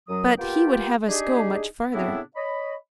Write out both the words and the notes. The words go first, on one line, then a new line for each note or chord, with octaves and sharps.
But he would have us go much further.
F#2 F#3 D#6
A#3 B3 F4 G4 G5
D4 D#4 G4 G#4
A2 C#3 B3 C4 D4 E4
C#5 D#5 B5